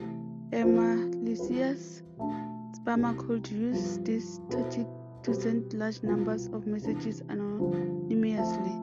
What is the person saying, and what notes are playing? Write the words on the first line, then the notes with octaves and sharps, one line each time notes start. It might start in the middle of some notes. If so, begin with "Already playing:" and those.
A malicious spammer could use this tactic to send large numbers of messages anonymously.
Already playing: C3 E3 A3
F3 C4 F4 A4 C5
E3 G3 C4 F4 B4
B2 A3 D4
C2 C3 G3 C4 G4
G2 F3 B3
B2 B3 E4 A4 C5
B2 G3 C4 G4 B4
C2 B2 B3 F4
C3 E3 B3 D4 G4
G2 D3 F3 C4
F3 A3 C4